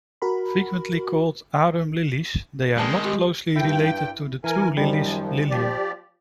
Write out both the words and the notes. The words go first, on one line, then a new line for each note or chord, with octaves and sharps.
Frequently called "arum lilies", they are not closely related to the true lilies "Lilium".
F#4 A#4 B5
D#3 G#3 B4 D5 A5
G4
G2 E4 G5
E3 A#4 G#5
F#2 D#3 F3 G3
F3 G4 D5